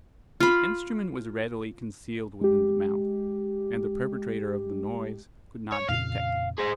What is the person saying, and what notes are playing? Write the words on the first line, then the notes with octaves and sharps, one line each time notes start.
The instrument was readily concealed within the mouth, and the perpetrator of the noise could not be detected.
F4 B5
G#3 G4
C#5
F2 A#2 C#3 F5
G#4 C5